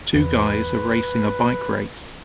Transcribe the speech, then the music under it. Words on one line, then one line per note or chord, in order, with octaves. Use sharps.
Two guys are racing a bike race.
E2 B4